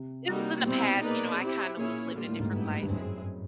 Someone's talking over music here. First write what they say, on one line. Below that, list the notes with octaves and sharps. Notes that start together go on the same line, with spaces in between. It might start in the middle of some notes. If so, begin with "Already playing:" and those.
this was in the past, you know, I kinda was living a different life and
Already playing: C3
G3 A#3 D#4 F#4
A#2
B2 G3 C4 E4
A#3 D#4 G#4 B4 D5
C4 E4 G4
A#2 C#4 E4 G#4 C#5
A#2 D3 G3 A#3 D4 F4
A2
G#2
G2 B3 E4 G4 B4
G2
F#2 G#3 C4 E4 G#4